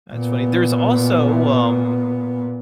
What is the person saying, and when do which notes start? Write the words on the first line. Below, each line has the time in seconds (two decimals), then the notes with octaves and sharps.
That's funny. There's also, um
0.13 A#2 B3